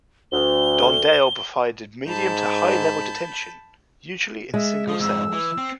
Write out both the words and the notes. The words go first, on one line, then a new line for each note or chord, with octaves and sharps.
Don Dale provided medium to high level detention, usually in single cells.
D2 G7
G#2 A5 B5 G6
G#3 E5
F3 D#6
F2 G#2 E6
E3
C4